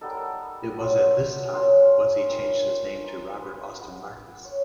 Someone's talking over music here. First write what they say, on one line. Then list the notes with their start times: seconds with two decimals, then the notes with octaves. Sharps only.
It was at this time was he changed his name to Robert Austin Markus.
0.01 G3 B3 D#4 A4
0.10 A#4
0.17 A4
0.77 F#3 A3 D4 F4
1.53 F#3 A#3 C#4 F4 C#5
2.28 G3 A#3 C#4
3.04 F3 A#3 D#4 C5
3.42 B4
3.79 G#3 B3 E4
4.45 C#5